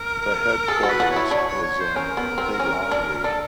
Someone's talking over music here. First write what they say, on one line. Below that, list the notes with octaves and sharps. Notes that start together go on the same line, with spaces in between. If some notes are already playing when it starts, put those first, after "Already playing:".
The headquarters is in Lilongwe.
Already playing: A#4
G#4 A4
F#4
B4
F#4
C#5
E4
D4 C#5
C#5
C#5
C5
C#4 A#4
B3
C4
C#4
D4
D4 A4